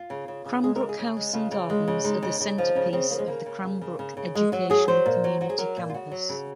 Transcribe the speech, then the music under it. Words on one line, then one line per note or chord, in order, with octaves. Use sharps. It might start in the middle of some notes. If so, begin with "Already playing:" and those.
Cranbrook House and Gardens are the centerpiece of the Cranbrook Educational Community campus.
Already playing: F4
C#3
C#3
C#3
G#3 G#4
C#3 A#4
G#4
C#3
G#3
C#3 F4
C#3
G#3
C#3
G#3 D#4
C#3
C#3
F3
C#3 C#4
C#4
C#3 C4
F3 A#3
G#3
C#3 A#3
C#3
C#3
C#3
C#3
C#3
G#3
F#3 F#4
F#3 G#4
F#3 C5
A#2
F#3
F#3 F#4
G#4
F#3 A#4
A#2
F4
C#3 F#4
F#3
C#3